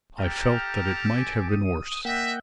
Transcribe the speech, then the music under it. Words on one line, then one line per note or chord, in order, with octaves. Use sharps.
I felt that it might have been worse.
G4 A4 G5 A5 A#5 F6
G#5 D6
D#6
A#3 D#5 E5 F#5 G5